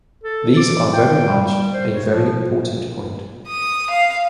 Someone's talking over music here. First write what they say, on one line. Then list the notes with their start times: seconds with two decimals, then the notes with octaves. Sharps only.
These are very much a very important point.
0.23 A4
0.57 D6
0.93 G5
1.27 G3
1.73 C5
1.93 C#5
2.13 F3
3.47 D#6
3.90 F5